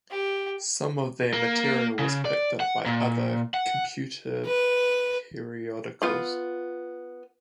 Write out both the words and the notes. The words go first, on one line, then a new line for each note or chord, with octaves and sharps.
Some of their material was picked up by other computer periodicals.
G4
A#3
C#3
D5
F#5
A#2
F#5
B4
B3 F4 B5